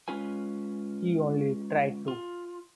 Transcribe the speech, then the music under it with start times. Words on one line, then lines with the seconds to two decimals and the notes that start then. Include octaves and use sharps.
He only tried to.
0.08 G#3 C#4 F4 B4 G#5
2.08 F4